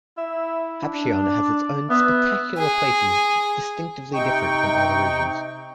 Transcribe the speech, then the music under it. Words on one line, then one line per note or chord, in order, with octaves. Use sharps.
Hapcheon has its own spectacular places distinctively different from other regions.
E4 E5
D4
D5
B3 E5
G#4
C3 D#4 G5 C#6